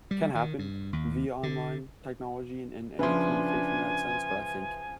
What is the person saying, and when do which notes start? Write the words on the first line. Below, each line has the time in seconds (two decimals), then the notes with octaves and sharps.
can happen via online technology and and and communication, in that sense, but I think
0.11 G3
0.35 D#3
0.59 G2
0.93 D#2
1.43 D3
2.99 C#3 F3 D4 B4 E5 G#5 C6